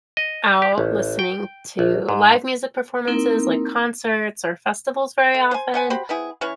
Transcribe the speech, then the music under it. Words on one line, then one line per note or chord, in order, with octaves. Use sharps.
out listening to live music performances like concerts or festivals very often?
D#5
G4
A1
G5
A#1
G#2
A#3 C4 D#4 E4 A#4
A3
C5 G#5
C5 F#5 G#5
F#4 G4 C5 B5
B3 C4 E4 G#4
E3 C#4 B4 C#5